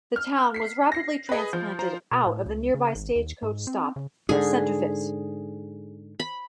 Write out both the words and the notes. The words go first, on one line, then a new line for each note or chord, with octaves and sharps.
The town was rapidly transplanted out of the nearby stagecoach stop of Senterfitt.
F6
B6 C7
A#6 C7
G#4 B4 D#5 B5
F3 G6
F4 C5 A#5
B2
A2
C#2
C#3
G#1
D#2
G#2
C4
C#3
G#2 D3 G#4
B5